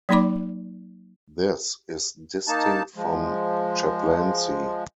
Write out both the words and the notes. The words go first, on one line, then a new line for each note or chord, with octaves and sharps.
This is distinct from chaplaincy.
F#3 A#3 D#4 D5 B5 D6
A#3 D#4 A5
F3 G#3